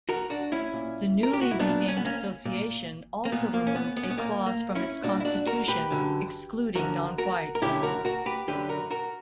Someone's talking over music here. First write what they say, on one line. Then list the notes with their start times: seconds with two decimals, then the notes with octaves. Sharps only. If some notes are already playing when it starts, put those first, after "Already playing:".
The newly renamed association also removed a clause from its constitution excluding non-whites.
0.09 F#4 A#4
0.30 D4 F#4
0.52 C#4 E4
0.73 A#2
1.23 A#4
1.33 G4
1.41 F#4
1.51 E4
1.59 A#2 B3 D4
1.88 C#4
1.97 B3
2.05 A#3 C#4
2.46 A#2
3.25 A#3
3.32 A#2 B3
3.53 A#3
3.67 C#4
3.75 B3
3.97 B3
4.03 C#4
4.11 B3
4.18 A#2 A#3
4.46 A#3
4.75 C#4 E4
5.03 A#2 D4 F#4
5.20 E4
5.25 D4 F#4
5.46 F#4 A#4
5.68 G4 B4
5.90 F#2 D3
6.75 F#2 D3 F#4 A#4
7.18 F#4 A#4
7.55 A#4
7.62 F#2 D3 E4 G4
7.83 F#4 A#4
8.05 F#4 A#4
8.26 G4 B4
8.47 F#2 D3 G4 B4
8.69 F#4 A#4
8.91 F#4 A#4